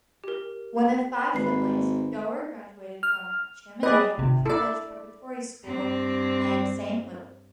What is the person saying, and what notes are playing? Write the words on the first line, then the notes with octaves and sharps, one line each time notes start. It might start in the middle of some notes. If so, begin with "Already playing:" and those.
One of five siblings, Doerr graduated from Chaminade College Preparatory School in Saint Louis.
G4 A#4
G#1 B4 B5 C7
F6
G#4 B4 D5 D#5
G#1 C3
E4 A4 D5
G2 C4